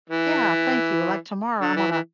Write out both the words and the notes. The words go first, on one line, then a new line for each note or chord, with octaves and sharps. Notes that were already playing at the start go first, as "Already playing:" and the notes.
Yeah, thank you, like tomorrow, I'm gonna
E3
D3
E3
E3